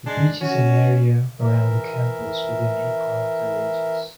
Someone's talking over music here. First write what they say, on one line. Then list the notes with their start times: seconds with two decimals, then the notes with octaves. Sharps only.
It reaches an area around the campus within eight-km radius.
0.06 G#3 D4
0.41 C#4 F#4
1.40 E3 A#4 E5